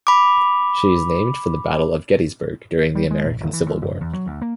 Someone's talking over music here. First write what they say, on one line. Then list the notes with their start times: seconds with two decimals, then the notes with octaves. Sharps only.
She is named for the Battle of Gettysburg during the American Civil War.
0.07 B5 D6
2.95 G3
3.11 G#3
3.24 A#1
3.40 D1
3.53 E3
3.66 D#2
3.82 F#1
4.01 E2
4.13 F#3
4.27 D2
4.41 A#3